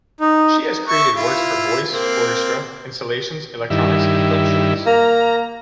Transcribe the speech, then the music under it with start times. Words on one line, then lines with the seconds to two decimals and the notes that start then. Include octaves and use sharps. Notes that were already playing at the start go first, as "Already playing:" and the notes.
She has created works for voice, orchestra, installations, electronics and film shorts.
0.20 D#4
0.88 E5 C#6
1.16 E4 F4
1.92 A#3 C4
3.70 G2 D#3 E4
4.86 A#3 A#5